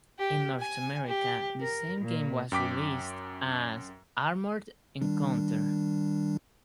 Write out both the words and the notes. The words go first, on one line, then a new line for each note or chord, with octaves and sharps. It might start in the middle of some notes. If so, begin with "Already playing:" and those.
In North America, the same game was released as Armored Encounter!
G4
G#5
G4
A#4
A#2
F#2 G5 D6 B6
D#3 G3 D4